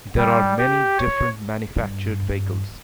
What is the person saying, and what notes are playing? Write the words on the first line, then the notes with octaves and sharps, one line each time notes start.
There are many different manufactured vehicles.
G3
G4
C#5
G2